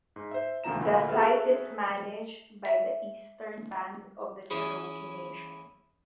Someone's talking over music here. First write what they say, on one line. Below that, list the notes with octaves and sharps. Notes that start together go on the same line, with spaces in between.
The site is managed by the Eastern Band of the Cherokee Nation.
G#2
C5 E5
D2 C3 D#3 F3 A#5 E7
D2 A#2 A#3 F#4 B5
F#4 G#4 A4 B4 E5 F6
E5
E3 C#4 E4 G#4